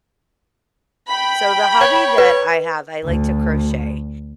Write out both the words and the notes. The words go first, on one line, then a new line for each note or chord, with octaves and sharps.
So, the hobby that I have, I like to crochet,
G5 B5
C#5
B4
D2